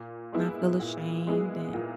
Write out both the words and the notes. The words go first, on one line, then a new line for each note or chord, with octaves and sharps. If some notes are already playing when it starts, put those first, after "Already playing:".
not feel ashamed and
Already playing: A#2
G#3 B3 E4 G#4
A#2
G#3 B3 E4 G#4
A#2